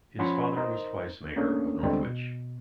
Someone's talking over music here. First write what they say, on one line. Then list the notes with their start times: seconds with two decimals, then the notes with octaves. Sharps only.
His father was twice mayor of Northwich.
0.19 F3 C#4 F#5 G#5 B5 C6
0.57 D#4 A#4 C5
1.36 A3 A#3 C#4 D4 G#4
1.83 D2 D3 G3 G#3 B3 C4
2.05 B2